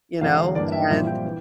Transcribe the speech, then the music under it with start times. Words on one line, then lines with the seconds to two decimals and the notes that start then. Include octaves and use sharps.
you know? And,
0.21 E1 E2 D3 F5
0.55 G2 E3 A#3 D4 D5
0.72 E5
0.90 A#1 A#2 G3 C4 F4 E5
1.07 G5
1.25 E3